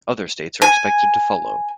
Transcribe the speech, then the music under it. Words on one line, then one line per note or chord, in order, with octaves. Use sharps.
Other states are expected to follow.
G#5